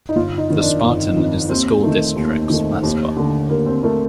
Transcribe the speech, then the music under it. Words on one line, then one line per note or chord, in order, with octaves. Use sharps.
The Spartan is the school district's mascot.
D#4
G1 F4
D#4
F2 D#3
D4
G1
F2 D#3
D#2 C4
D#3 A3
D#2
D#3 A3
D#2
D3 A3
D#2 A#3
C4
D3 A3 A#3